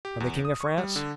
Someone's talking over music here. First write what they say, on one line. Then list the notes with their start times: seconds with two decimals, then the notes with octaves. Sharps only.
"From the king of France?"
0.05 G4
0.20 E2
0.45 D#6
0.61 C#6
0.78 G3
0.96 D3